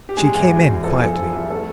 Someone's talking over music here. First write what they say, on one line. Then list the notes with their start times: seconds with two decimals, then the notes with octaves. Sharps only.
She came in quietly.
0.09 G4
0.17 G#3 G#4
0.34 E2
0.51 B2
0.66 E2
0.84 F3 A4
0.93 G#4
1.00 C2 A4
1.16 F3 G#4
1.33 C2
1.50 A3 A4